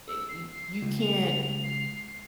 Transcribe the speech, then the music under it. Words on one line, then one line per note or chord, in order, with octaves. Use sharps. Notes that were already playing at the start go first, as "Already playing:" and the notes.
eh, y you can't
E6
C7
C#2
F7
C7